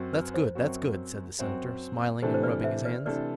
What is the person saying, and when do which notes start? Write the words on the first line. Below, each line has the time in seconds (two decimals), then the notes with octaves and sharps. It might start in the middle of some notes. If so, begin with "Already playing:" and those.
"That's good, that's good," said the Senator; smiling, and rubbing his hands.
Already playing: F#2 F#3 C4 F#4
0.13 B4
0.34 C5
0.55 F#2 F#3 C4 F#4
1.39 F#2 F#3 C4 F#4
2.22 C3 E3 A3 D4 A4 C5
2.34 C5
2.43 B4 D5
2.64 C5 E5
2.85 B4 D5
3.06 C3 E3 A3 D4 A4 B4 D5